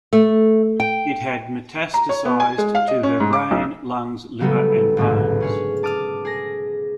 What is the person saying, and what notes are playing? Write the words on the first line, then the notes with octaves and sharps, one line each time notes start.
It had metastasised to her brain, lungs, liver and bones.
A3
G5
A#5
C#5
B3
G#5
G#3
F5
D#5
C#4
G#2
D6
B1
C#3 F#3 G3 A3 B3
A1 D2 G#2 B2
C#4 G#4 C#5
A5 D6 D#6 F6
G#4 A#6